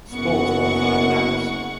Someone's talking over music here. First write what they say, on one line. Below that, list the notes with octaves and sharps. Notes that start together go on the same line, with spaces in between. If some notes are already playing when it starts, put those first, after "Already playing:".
Sports website and apps.
F#1 F#2 B3 F#5 C#6